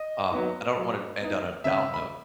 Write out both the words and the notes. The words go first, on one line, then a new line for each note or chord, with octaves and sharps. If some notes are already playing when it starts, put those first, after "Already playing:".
Um, I don't wanna end on a down note,
Already playing: D#5
F#3 B3 D#4
F#3
B3 D#4
C#3 E5
B5